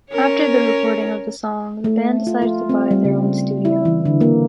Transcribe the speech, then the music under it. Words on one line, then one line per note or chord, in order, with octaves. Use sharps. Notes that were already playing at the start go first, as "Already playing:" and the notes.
After the recording of the song the band decided to buy their own studio.
C#4 A#4 C#5
A3
F4
F4
C4
G3
C#3
E4
E3
D3
A#3